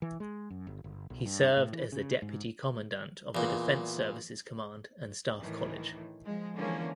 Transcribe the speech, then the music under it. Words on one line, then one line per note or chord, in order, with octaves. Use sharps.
He served as the Deputy Commandant of the Defence Services Command and Staff College.
E3
G#3
F#2
G1
G1
B1
G2
A2
E3
C#3
G#2
E2 A#2
A2 D#3 E3
F3 G#3
D3 E3 F3 G#3 A#3 C#4